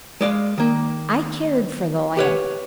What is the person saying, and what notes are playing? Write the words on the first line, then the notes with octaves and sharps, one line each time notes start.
I cared for the lad.
G#3 D5 F5
D#3 A#3
G4 B4 C#5